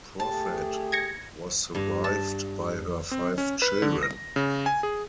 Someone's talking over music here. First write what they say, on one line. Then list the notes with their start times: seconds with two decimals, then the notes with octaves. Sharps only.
Prophet was survived by her five children.
0.20 A3 G4 G#4 A5
0.92 G#6 A#6 C#7
1.75 G2
2.04 A5
3.11 C4
3.38 C#4
3.62 B4
3.82 D3
4.03 A#6
4.36 C#3
4.66 G#5
4.83 G#4